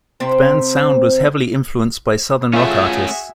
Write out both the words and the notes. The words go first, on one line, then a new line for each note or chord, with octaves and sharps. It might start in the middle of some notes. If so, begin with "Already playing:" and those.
The band's sound was heavily influenced by Southern rock artists.
C3 C4
A3 C#4 F4 F#4 G#4 E5